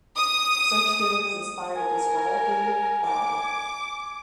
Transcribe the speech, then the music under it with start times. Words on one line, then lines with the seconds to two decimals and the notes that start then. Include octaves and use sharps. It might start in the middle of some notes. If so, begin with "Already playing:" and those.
Such feelings inspired this rollicking ballad.
0.18 D#6
1.76 A#4 G#5
3.08 D6